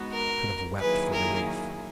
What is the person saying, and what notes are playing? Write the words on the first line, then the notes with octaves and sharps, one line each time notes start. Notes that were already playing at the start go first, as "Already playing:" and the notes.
I could have wept for relief.
Already playing: G#3 B3 D#4 F#4
A#4
D#3 F#3 A#3 E4 G#4 B4
A#4